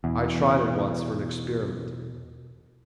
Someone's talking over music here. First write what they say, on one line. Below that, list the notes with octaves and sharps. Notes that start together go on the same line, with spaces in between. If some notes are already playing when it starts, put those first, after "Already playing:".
I tried it once for an experiment.
E2 B2